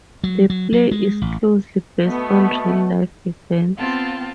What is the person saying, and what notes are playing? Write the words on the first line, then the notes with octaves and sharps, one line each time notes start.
The play is closely based on real-life events.
F#3
F#3
F#3
G#3
A1
B2 A3 B3
B3 C4 F4 F5 G5 A5